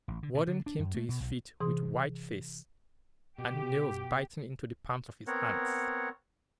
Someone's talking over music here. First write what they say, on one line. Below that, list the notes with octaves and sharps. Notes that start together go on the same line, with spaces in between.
The warden came to his feet with white face, and nails biting into the palms of his hands.
A1
D3
B2
D3
D4
F#2
A3
B2
B1
C3 E3 G#4 C6 D#6
B2 G4
B3 C4 A#4 C#5 F#5